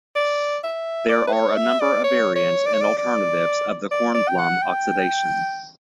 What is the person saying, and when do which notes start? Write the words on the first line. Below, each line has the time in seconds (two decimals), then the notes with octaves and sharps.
There are a number of variants and alternatives of the Kornblum oxidation.
0.16 D5
0.63 E5
1.09 D5
1.27 B4
1.33 C#5
1.56 E5
1.80 D5
2.04 C#5
2.36 C#5
2.66 D5
2.73 C#5
2.81 D5
2.98 D5
3.91 D5
4.15 D5
4.29 G5
4.38 F#5
4.62 G5